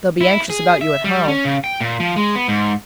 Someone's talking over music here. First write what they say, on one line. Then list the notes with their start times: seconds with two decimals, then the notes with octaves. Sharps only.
They'll be anxious about you at home.
0.21 E4
0.50 G#4
0.81 E5
1.04 G3
1.28 C#4
1.45 C#3
1.64 G5
1.80 A#2
2.00 F3
2.16 G#3
2.35 B3
2.48 G#2